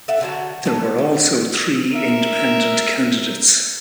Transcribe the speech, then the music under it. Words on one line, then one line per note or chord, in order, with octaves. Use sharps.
There were also three independent candidates.
A4 E5 F#5
D3 F#3 F#4
F#3 B3 A4
D#3
A#4
A#4 E5